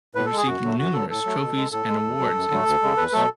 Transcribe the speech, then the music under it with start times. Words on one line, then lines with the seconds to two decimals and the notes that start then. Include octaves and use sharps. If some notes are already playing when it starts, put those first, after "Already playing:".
He received numerous trophies and awards in sports.
0.15 A2 B4
0.26 A4
0.31 G#3
0.37 G#4
0.47 F#2 F#4
0.63 D3 F#3 A3
0.78 F#2 F#4
0.93 D3 F#3 A4
1.10 A2 A4
1.25 F#3 A3
1.41 B2
1.57 G#3
1.72 A2 A4
1.88 G#3
2.04 E2
2.19 B2 F#3
2.35 F#2
2.50 D3 F#3 A3
2.66 D2
2.82 C#3 G#3
2.97 E2 B4
3.13 B2 F#3 A3 A4